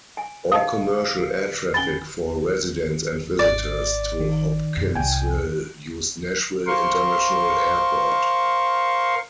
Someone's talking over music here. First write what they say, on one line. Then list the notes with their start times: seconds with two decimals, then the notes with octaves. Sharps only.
All commercial air traffic for residents and visitors to Hopkinsville use Nashville International Airport.
0.17 G#5
0.52 D#5 F5 A5 D#6
1.74 C#4 G#5 B5 A6 G7
3.39 G#1 D5
4.20 D#3
4.77 F#2 B2
4.95 C2 G5 G#5
6.67 A#4 C5 F5 C6 C#6